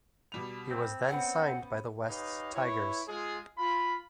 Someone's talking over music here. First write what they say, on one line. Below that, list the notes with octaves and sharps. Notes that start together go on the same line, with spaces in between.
He was then signed by the Wests Tigers.
B2 G3 F7
C4
B3 C#4 F#5
D#4 G4 B4 C#5 D#5 F5
E4 B4 C#5
G#3 F4 G#4
F4 B5